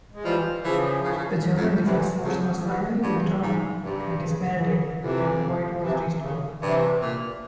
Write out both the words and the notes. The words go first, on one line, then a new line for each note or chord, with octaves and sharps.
The German defense force was finally withdrawn and disbanded and quiet was restored.
G#3
E3 F3 G3
C#3 E3 F3
C#3
E3
C#3
F2
G2 C3 E3
F2 C#3 F3
F3
E3 G3
G2 F3
E3
C#3
C3 E3
G#2 C#3
G2 C3
C3
C#3
E3
C#3
F2 C3 E3
C3 E3
C#3
G2 C3 E3
A#2